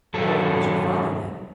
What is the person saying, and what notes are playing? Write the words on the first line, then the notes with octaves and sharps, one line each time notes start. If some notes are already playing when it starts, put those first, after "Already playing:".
"How old was your father then?"
G2 F#3 A4